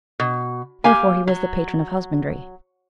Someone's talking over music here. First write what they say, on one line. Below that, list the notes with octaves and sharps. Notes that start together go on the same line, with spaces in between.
Therefore he was the patron of husbandry.
B2
A#3 G4 F5 G#5
F#3